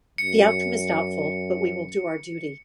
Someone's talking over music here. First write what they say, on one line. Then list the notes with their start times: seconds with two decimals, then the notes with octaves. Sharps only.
The outcome is doubtful, but we will do our duty.
0.18 F#2 C#7